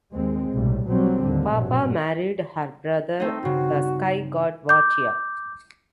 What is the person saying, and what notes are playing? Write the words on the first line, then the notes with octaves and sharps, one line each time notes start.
Papa married her brother, the sky god Vatea.
D#2 G#3 C4
B1 A2 C3 G3
A#1 B2 F#3 G3 C4
D#2 A2 D3
A#1 G2 B2 F#3
A3 C4 D#4
G2 C#3 F#4
D6 G6